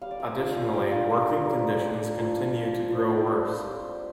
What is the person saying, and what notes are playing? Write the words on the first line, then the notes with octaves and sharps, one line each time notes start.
Additionally, working conditions continue to grow worse.
G3 F5
D5
F5
D4 F4
G3 G5
F4
D4 F4 G4
A#4
G3
D4 F4
F3
A#3 F4
F3 C5
D5
C4 F4 G4
C5
G3